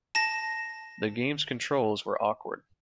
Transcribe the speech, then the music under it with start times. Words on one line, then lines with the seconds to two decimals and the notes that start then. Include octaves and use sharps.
The game's controls were awkward.
0.15 A5 A#6